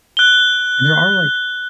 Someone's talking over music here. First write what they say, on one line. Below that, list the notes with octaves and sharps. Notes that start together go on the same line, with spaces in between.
and there are, like
F#6 G7